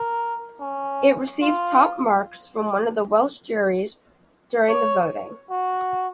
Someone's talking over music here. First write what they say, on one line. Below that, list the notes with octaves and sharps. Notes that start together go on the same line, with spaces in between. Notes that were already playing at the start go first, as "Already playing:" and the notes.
It received top marks from one of the Welsh juries during the voting.
Already playing: A#4
C#4
F4
C#5
F#4